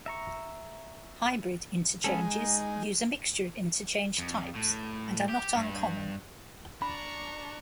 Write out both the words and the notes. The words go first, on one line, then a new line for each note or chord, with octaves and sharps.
Hybrid interchanges use a mixture of interchange types and are not uncommon.
E5 A#5 C#6
G#3 B3 C#4 A4
D#4
F2
A2
G4
G2
D4 A#5 B5 C#6